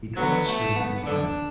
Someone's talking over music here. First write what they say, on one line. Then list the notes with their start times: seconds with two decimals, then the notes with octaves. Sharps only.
He taught school in Ohio.
0.17 D3 F#3 B3
0.47 A3
0.76 B3
1.06 D3 D4